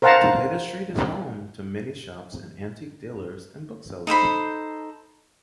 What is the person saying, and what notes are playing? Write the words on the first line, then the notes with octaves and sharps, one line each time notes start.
Today the street is home to many shops and antique dealers and booksellers.
A#4 C5 F5 F#5 A5 A#5
D#4 A4 C5 B5